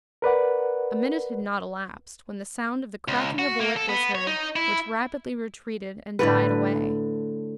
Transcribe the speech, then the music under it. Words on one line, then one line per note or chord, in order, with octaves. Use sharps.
A minute had not elapsed, when the sound of the cracking of a whip was heard, which rapidly retreated and died away.
A#4 B4 D5 F#5
C#2
F#4
A#3
A4
B3
C#5
D#4
E4
A2 D3 B4